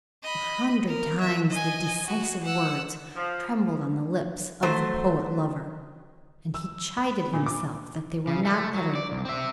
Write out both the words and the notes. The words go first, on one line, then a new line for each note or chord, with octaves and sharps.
A hundred times the decisive words trembled on the lips of the poet-lover, and he chided himself that they were not uttered.
D#5 B5
A#4
E5
D#5 G#5
F#4
F#5 E6
F3
F#3 A3 C5
E6
B5
A#2
D6
C#3
A3
F#3
D5
C2
C4 E5